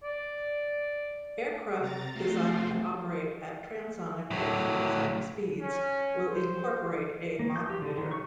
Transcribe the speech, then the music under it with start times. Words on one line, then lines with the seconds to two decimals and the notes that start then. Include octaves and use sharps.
Aircraft designed to operate at transonic or supersonic speeds will incorporate a machmeter.
0.03 D5
1.80 C3 A#5 A6
2.12 A3 C4 F4 F#4 C5
4.31 A2 F#3
5.61 C#4
6.28 C5
7.39 A#3
7.56 G6
7.70 G4
7.82 D3
7.98 D#3
8.11 C#6